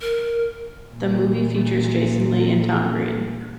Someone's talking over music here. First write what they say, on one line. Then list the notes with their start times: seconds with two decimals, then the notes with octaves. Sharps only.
The movie features Jason Lee and Tom Green.
0.01 A#4
0.94 A#2 E3